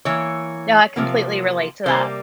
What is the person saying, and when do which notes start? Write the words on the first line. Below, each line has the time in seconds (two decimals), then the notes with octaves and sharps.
no, I completely relate to that.
0.05 E3 A#3 C#5
0.96 C3 F3 A#3
1.86 C3 G3 A#3 C5